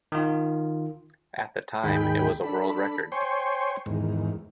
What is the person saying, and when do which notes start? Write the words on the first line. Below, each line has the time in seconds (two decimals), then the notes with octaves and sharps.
At the time, it was a world record.
0.12 D#3 F4
1.84 D#2 G#2 D#3 G#4 G5 B5
2.44 D4 A4 B5
3.12 C5 C#5 G5 G#5 C6 C#6
3.86 E2 G#2 D#3